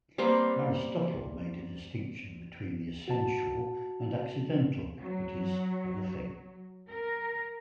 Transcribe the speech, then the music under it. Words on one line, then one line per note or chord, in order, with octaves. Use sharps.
Aristotle made a distinction between the essential and accidental properties of a thing.
G3 A#3 C4 B4
F#4 A5
F#3
A#4